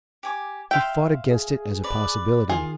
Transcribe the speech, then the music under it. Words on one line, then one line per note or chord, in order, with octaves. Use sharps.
He fought against it as a possibility.
G4 G#5 D6
E5 F5 G5 C6
G#4
B4 D5
D#3 F4 G#4